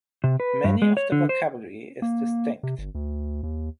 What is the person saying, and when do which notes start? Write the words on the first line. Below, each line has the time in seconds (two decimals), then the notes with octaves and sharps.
Many of the vocabulary is distinct.
0.24 C3
0.40 B4
0.64 G2
0.82 G#3
0.97 C#5
1.12 D3
1.29 C5
2.02 A#3
2.63 C3
2.79 G1
2.95 D2
3.43 D#2